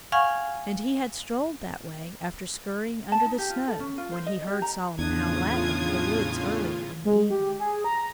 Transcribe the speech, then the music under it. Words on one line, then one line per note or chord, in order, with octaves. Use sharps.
And he had strolled that way after scurrying under the snow when he heard Solomon Owl laughing in the woods earlier in the evening.
F5 F#5 G#5 C#6 F6 G#6
A5
D#4
G4
F4
A4
C#4
F4
C5
D#5
G4
A#5
E2 A2 C#3 D4 F4 D#6 G#6
G#3
G4
G#4
A#5